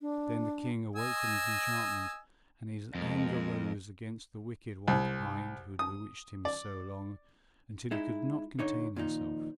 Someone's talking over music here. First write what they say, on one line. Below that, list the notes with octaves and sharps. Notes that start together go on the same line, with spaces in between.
Then the King awoke from his enchantment, and his anger rose against the wicked white hind who had bewitched him so long, until he could not contain himself.
D4
D#5 G#5 E6
F2 G#3 A#4
C2
D#6
D5
G#3 D#4 E4
D3 D#4 C#5
A#2 D#3 F3 D#4